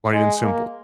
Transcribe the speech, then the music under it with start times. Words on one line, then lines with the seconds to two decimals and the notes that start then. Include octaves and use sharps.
Plain and simple.
0.13 G#3
0.42 A#3